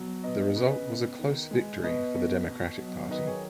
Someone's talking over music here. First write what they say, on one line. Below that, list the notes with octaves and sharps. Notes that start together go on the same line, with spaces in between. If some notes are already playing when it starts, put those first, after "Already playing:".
The result was a close victory for the Democratic Party.
Already playing: B2 F#3
B3 B4 D#5
C#3 B4 D#5
B3
D#3
G#3
B2 B4 D#5
B3
B2
F#3
D#3 B4 D#5
G#4 C#5